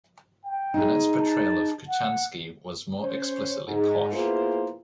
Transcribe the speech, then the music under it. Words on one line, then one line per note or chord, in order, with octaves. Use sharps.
Annett's portrayal of Kochanski was more explicitly posh.
G5
D#4 G#4
A5
F#5
C#4 C5 C#5
G#2
A#3 B3 E4 F4 G#4 C5